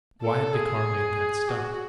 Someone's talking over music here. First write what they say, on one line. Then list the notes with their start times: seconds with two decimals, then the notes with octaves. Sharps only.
Why had the car made that stop?
0.22 A4
0.54 G#4
1.49 F#4